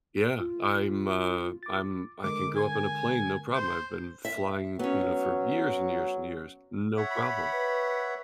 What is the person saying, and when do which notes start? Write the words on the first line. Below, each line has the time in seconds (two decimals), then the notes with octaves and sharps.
Yeah. I'm, uh, I'm I can go up in a plane, no problem, I've been flying, you know, for years and years and years, no problem.
0.39 F4
1.63 D6 A6
2.24 D3 G#3 A#4 D6
2.57 G#5
3.55 C5
4.25 E5
4.79 F#3 B3 C#4
6.97 C#5 E5 F#5
7.11 B5
7.52 B4